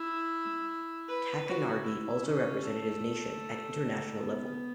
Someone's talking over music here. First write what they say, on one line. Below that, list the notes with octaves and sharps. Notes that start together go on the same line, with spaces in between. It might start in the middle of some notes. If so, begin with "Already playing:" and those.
Tacchinardi also represented his nation at international level.
Already playing: E4
B4
F#4
E4
C#4
A3
B3